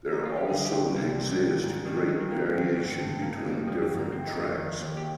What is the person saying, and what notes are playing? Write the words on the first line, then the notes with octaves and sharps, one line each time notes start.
There also exists great variation between different tracks.
D#4
F4
G4
D3 G#4
G4
D2
C2 G3
C3
G#1
G#2
D#3 G3
G#3
D#3 G#3
C4
D#3 A#3
C4
G#1
C4
G#1 C4
G2 C4
G2 A#3
G#3
G1
G3
F2 F3
G3
G1
A#3
G1 C4
D#4
F2
F4
D#3
D#2
G4